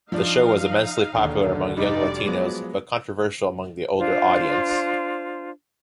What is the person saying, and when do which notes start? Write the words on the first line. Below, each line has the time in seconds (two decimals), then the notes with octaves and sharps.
The show was immensely popular among young Latinos, but controversial among the older audience.
0.12 F3 D4 D#4 F5
1.15 E1 D#2 D3
1.77 F1 G3 D4 D#4 F#4 D5
2.25 F3 F#3 G#3 B3
3.98 D4 F4 C5